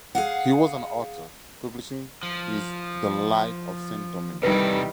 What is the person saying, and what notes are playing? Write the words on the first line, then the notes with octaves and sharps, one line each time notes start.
He was an author, publishing his "The Life of Saint Dominick".
G#4 F5 F#5
F3
C3 D#3 E3 G3 A4 B4